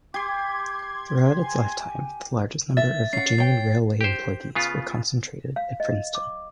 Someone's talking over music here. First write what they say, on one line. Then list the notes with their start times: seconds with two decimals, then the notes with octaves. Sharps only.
Throughout its lifetime, the largest number of Virginian Railway employees were concentrated at Princeton.
0.14 G4 C6 D6 G#6
1.40 G#5
2.77 E5 A6
3.13 C#4 F#5 C7
3.38 C#5 G5
4.01 G4 C5
4.55 C#3 B3 F4
5.56 F5
5.80 D#5
6.15 D6